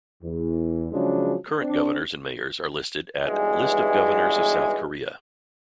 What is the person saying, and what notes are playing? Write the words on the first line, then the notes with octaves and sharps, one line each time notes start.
Current governors and mayors are listed at List of governors of South Korea.
E2
C#3 F3 F#3 G#3 C#4 D4
C4 D4
B1 E2 G2 E3 G#3